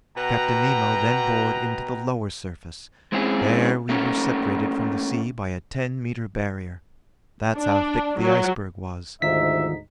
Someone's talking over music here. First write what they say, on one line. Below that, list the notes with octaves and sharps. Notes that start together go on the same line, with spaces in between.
Captain Nemo then bored into the lower surface. There we were separated from the sea by a ten-meter barrier. That's how thick the iceberg was.
B2 F#4 B4 G5 A#5
G#3 C4 C#4 E4 G#4
A3 A#3 C#4
D4
F#3
D2 G#2 C3 D#3 D#4 F4 E5 B6